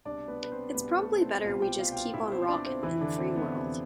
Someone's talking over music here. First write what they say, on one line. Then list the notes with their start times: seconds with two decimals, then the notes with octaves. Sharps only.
It's probably better we just keep on rockin' in the free world.
0.05 C2 B2 D4 D5
0.28 B3 B4
0.43 B4
0.52 C4 C5
0.74 C2 B2 B3 B4
0.98 A3 A4
1.21 C4 C5
1.44 C2 B2 F4 F5
1.62 G4 G5
1.79 F4 F5
1.92 G5
1.96 F4 F5
2.14 C2 B2 E4 E5
2.31 C4 C5
2.42 C5
2.48 D4 D5
2.66 C4 C5
2.83 F2 C3 E3 E4
3.01 D3 D4
3.18 C4
3.36 B3
3.53 F2 C3 E3